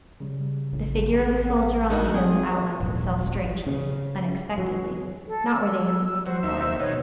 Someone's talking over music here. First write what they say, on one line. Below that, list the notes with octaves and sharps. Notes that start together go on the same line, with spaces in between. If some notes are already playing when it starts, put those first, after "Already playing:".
The figure of a soldier on the hill outlined itself strangely, unexpectedly, not where they had been looking for it.
C#3 G3
A1
A4 F#5
G#1 D2 D#3 F#4
G#3 C4 G#4
D#1 G#1
C#3
F#3
A4
E6
F#3 C5
D#2 E5
B2 D#3 C#5